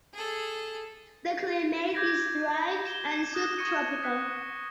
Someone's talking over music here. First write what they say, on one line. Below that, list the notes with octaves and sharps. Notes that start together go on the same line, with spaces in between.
The climate is dry and subtropical.
G#4 A4
D6 G6 G#6 A#6 B6 D7
E7 G7
D#6 F#6 A#6 E7
C#6 D#6 G#6 A#6 C#7 D#7
F#6 B6 C#7